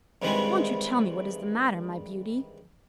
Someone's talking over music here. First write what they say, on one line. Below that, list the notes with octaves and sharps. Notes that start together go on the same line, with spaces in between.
Won't you tell me what is the matter, my beauty?
G2 C3 D#3 E3 G3 G#3